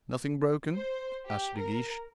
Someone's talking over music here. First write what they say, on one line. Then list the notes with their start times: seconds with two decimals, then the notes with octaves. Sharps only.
"Nothing broken?" asked De Guiche.
0.75 C5
1.27 G4
1.57 A#4